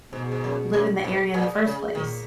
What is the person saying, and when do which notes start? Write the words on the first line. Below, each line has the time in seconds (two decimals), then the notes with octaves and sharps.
live in the area in the first place?
0.13 G#2 B2
0.32 G#2
0.44 F#2
0.74 F#2
1.04 G#2
1.34 A#2
1.65 C#3
1.95 A#2 D#3